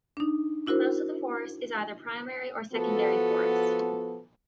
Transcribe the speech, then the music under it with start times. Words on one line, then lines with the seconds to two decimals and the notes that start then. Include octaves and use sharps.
Most of the forest is either primary or secondary forest.
0.17 D4 D#4
0.66 D4 E4 F#4 A#4 C5
2.74 F3 B3 F#4 A4